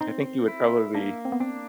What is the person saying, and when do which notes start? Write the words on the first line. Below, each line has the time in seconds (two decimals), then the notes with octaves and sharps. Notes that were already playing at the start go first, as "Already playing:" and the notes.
I think you would probably
0.01 C4 D#4
0.48 E4
0.94 A#3 D4
1.25 C4
1.32 B3
1.40 C4 D4